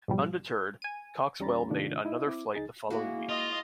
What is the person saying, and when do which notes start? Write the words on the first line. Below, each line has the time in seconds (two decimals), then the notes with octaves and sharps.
Undeterred, Coxwell made another flight the following week.
0.08 G#2 B2 F3 G3
0.82 G#5 D#7
1.40 E2 G3 C#4 A#5 B5 A6
1.70 G#2 C3 D#3 A3 D4 F4
2.05 D#4 E4 D#5
2.27 C4 E4 D6
2.54 C#2 D#4 G#4 A6
2.90 G#3 A#3 E4 F#4
3.29 F4 D#5